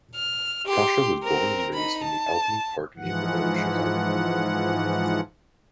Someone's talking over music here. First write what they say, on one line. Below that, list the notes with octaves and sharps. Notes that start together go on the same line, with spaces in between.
Tasha was born and raised in the Albany Park neighborhood of Chicago.
F6
G4 C6
C4 A#4
D#4 B5
A5
G#2 E3 F3 F#5